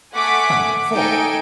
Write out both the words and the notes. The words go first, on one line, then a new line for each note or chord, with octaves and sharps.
Come, four?
A3 F#5 G#5 D6 B6 D7
D#4 A4 G5 G#5 D7